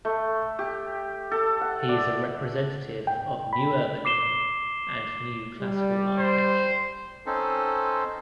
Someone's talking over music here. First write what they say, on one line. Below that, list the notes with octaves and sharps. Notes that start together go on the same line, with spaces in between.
He is a representative of New Urbanism and New Classical Architecture.
A3
G4
A4
F#5
D5
G5
B5
D6 C7 E7 G7
G3
C5
C4 C#4 D#4 A4 C5